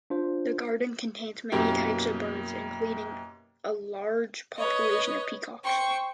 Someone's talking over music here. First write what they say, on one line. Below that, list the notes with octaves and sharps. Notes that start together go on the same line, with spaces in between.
The garden contains many types of birds, including a large population of peacocks.
D4 F4 C5
F#2 B2 A#3 E4 G4
B4 C#5 D#5
C5 G5 C#6